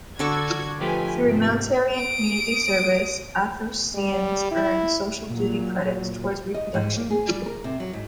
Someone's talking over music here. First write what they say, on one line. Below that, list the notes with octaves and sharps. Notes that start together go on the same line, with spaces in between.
Through military and community service, Athosians earn "Social Duty Credits" towards reproduction.
D3 D4 F#4 A4 C#6 G#6
F3 A3 G4 B4 G#5
G#2 C3
D#6 D7
G3
E4
A#2 F#3
D#5
G#2
A#3
G#4
G3
A#4
C3
F#3
G#2